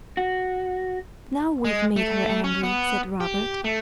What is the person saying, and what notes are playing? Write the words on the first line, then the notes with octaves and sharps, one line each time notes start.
"Now we've made her angry," said Robert.
F#4
G#3
A3
C#4
B3
G4
A3